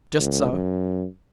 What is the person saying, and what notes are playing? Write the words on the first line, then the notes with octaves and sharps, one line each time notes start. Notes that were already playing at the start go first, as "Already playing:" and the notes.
"Just so."
C#2
F#2